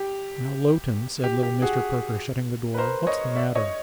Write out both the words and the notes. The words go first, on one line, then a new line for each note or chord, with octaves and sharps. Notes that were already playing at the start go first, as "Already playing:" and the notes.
'Now, Lowten,' said little Mr. Perker, shutting the door,'what's the matter?
Already playing: G4
G4
G4
F#4 G#4
B4
A#4 C5
C#5 D#5
D5 E5
C#5 D#5